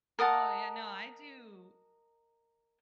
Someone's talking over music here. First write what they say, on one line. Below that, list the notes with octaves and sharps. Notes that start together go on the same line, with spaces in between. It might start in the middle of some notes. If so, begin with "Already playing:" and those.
Oh, yeah, no, I do
A#4 D#5 F#5 A5